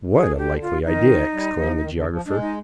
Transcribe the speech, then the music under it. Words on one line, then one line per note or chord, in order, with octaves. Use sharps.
"What a likely idea!" exclaimed the geographer.
D3
G#4
D3
G4
F4
D#3 D#4
G3
F3
D#3
D3
F3
G#3 D4
D#4